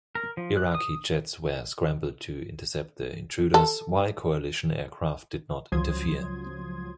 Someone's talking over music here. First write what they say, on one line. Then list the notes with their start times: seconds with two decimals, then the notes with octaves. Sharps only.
Iraqi jets were scrambled to intercept the intruders while Coalition aircraft did not interfere.
0.15 A#4
0.37 F3
0.57 F#6
0.74 D#6
3.54 A4
5.72 C#2 F3 F#3 C6 D#6 G#6